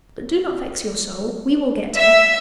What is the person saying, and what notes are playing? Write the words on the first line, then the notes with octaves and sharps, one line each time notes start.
But do not vex your soul; we will get her.
E5